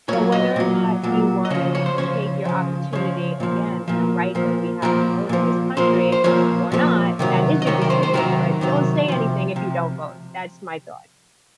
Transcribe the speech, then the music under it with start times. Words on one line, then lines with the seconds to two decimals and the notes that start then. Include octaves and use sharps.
but whether or not you wanna take your opportunity again in the right that we have to vote in this country or not, that is your decision, but don't say anything if you don't vote, that's my thoughts.
0.08 A#2 F#3 C#5
0.32 D#5
0.56 A#2 F#3
1.03 A#2 F#3
1.45 D#5
1.50 C#3 F3 C#5
1.75 C#5
1.86 C5
1.98 C#3 F3 C#5
2.45 C#3 F3
2.93 C#3 F3 C#5
3.40 A#2 F3
3.88 A#2 F3
4.35 A#2 F3
4.82 A#2 F3 A#4
5.29 A#2 F3
5.77 A#2 F3 C5
6.12 C5
6.24 A#2 F3 C#5
6.72 A#2 F3
7.19 C3 D#3 F#3
7.62 D#5
7.67 C3 D#3 F#3 C#5
7.82 A#4
7.90 C5
8.03 C5
8.14 C3 D#3 F#3 A#4
8.61 C3 D#3 F#3
9.08 C3 F3
9.56 C3 F3